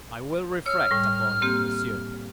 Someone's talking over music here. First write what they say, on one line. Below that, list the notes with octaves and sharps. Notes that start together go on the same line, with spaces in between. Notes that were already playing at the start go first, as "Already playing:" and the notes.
"I will reflect upon it, monsieur."
C#5 E6 F6
A2 G3
A#3 C4 G4